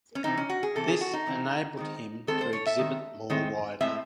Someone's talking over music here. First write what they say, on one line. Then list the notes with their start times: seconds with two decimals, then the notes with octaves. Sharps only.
This enabled him to exhibit more widely.
0.15 C#4
0.24 C3 E3 C4 D#4
0.37 C#4
0.49 F#4
0.63 G#4
0.75 C3 E3 C4 A4
0.88 G#4
1.01 F#4
1.13 D#4
1.26 C3 E3 C4
1.77 D#3 G#3 C4
2.27 D#3 G#3 C4 A4
2.41 C5
2.53 C#5
2.66 E5
2.79 D#3 G#3 C4
3.30 D#3 G#3 C4
3.81 A2 G#3 C4 E5